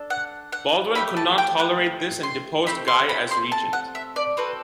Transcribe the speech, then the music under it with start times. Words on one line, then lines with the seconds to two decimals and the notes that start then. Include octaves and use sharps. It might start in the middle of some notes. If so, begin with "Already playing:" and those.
Baldwin could not tolerate this and deposed Guy as regent.
Already playing: D4 A4
0.10 F#5
0.52 F#5
0.95 A3 D4 G4 B5
1.17 A5
1.38 G5
1.60 F#5
2.23 C6
2.66 A3 C4 G4 B5
2.88 C6
3.09 B5
3.31 C6
3.52 A5
3.73 F#5
3.95 E5
4.16 D5
4.37 C4 F#4 A4 B4